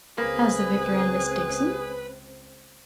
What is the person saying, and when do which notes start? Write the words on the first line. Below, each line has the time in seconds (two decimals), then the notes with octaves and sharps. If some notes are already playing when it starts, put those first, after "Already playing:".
How's the Vicar and Miss Dixon?
0.18 C#2 A#3 C4 G#4 B4